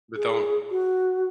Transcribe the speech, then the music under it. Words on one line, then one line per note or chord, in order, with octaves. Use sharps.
but don
G#4
F#4